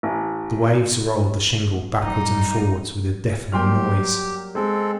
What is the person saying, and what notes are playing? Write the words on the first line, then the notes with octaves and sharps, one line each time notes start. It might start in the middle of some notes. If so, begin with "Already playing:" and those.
The waves rolled the shingle backwards and forwards with a deafening noise.
A1
F#2 G3 D#4
F#3 G3 A#3 G4 G5 C6 F6
G#3 C4 A4